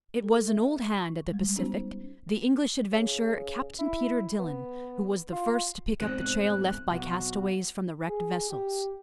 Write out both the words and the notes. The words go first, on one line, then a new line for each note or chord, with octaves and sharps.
It was an old hand at the Pacific, the English adventurer Captain Peter Dillon, who was the first to pick up the trail left by castaways from the wrecked vessels.
A4
E5
C#6
G3 G#3
B3 C#4 D#4 F#4 C5
C#3
E4
B3
F4
G#2 B2 D3 C4 C5 G5 F#6
B1 F#4
G#4
G4